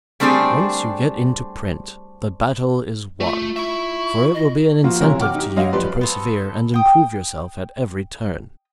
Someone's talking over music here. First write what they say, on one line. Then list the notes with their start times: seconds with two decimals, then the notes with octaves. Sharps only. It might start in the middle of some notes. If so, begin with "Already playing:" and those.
Once you get into print the battle is won, for it will be an incentive to you to persevere and improve yourself at every turn.
0.20 G3 A3 C4 D4 G4 G#4
3.20 A3 F4
3.56 E4 E5 C#6
4.34 D#5
4.84 F3 A#3 F4 F#4
5.01 B1 C3 E3 A#4 C#5
5.20 F#5 G5 D6 F6
5.35 D#4 G4
5.57 F#2 C#5 D#5 F5 F#5
5.73 F3 G3 G4 B4 D5 C6
6.01 B3 C4 A4
6.74 G5 D#6